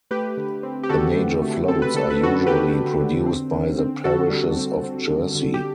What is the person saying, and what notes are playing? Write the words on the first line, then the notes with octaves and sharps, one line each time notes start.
The major floats are usually produced by the parishes of Jersey.
A3 G4 B4
D3
C4
G4
D3 F#4 A4
A3
A3
C4 A4
B4
D3 A4
B4
D3 F#4 A4
D3 G4 B4
D3
D3
C4
D3
C4
D3 F#4 A4
G3
C4
C4
D3
D3
G4